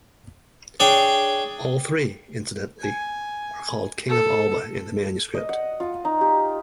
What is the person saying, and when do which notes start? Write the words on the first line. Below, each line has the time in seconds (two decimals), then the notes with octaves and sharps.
All three, incidentally, are called "King of Alba" in the manuscript.
0.80 D4 G#4 C#5 G5
2.81 G#5
4.09 A4
5.34 D#5
5.49 F#5
5.80 F4
6.05 D#4
6.21 G4